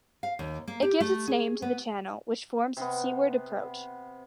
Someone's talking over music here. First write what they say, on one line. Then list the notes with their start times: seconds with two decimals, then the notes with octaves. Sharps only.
It gives its name to the Channel, which forms its seaward approach.
0.23 F5
0.39 D#2
0.67 A#3
0.82 G4
1.00 A3
1.27 G#4
1.62 B3
2.77 C3 B3